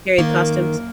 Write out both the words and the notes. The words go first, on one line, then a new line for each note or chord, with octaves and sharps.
period costumes?
D#3 A#3
F#2